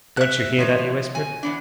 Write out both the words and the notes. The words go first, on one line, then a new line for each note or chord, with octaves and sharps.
"Don't you hear that?" he whispered.
E5 F#6
D#3 F3 C#5
F#4 G#5
E2 B3 D4